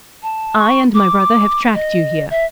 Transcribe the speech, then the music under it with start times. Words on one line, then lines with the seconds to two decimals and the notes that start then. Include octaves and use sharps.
I and my brother have tracked you here.
0.23 A5
0.58 C#6
0.95 D6
1.75 D#5
2.30 E5